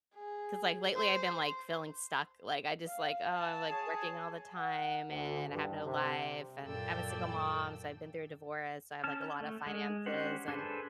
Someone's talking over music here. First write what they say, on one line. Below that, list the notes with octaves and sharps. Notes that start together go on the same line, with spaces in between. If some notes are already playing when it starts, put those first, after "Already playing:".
'Cause, like, lately, I've been, like, feeling stuck. Like, I just, "Oh, I'm, like, working all the time, and I have no life, and I'm a single mom, so I've been through a divorce. So I have, like, a lotta finances," and
G#4
C5
F5
A5
G#4 C#5
F#5
D2
G2
C3
F#2 A#2 A4 D5 G5 E6
C#4 A5 F6
A3
G#3
C#4 D4 G4 C5 F#5
D4 G#4 A4 B4 C5